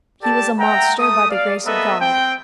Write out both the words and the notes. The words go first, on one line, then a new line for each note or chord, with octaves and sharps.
He was a monster by the grace of God.
G4 A4 D5 A5
E5 F#5 G5 A#5
A3 D#6
D5 F5
A#3 B3 A4 B4 D#5 E5
C4 G5